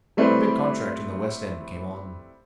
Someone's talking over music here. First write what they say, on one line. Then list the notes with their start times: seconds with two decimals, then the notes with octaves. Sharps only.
Our big contract in the West End came on.
0.17 G3 A3 C4 E4 B4 C5